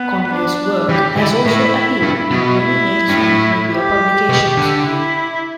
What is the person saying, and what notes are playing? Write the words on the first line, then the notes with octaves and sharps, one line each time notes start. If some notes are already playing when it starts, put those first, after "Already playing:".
Conley's work has also appeared in many mainstream media publications.
Already playing: B3
D4
E3 G4
D3 E4
A2
G2
B2
E4
G2
A2
G4
B2
D3
E4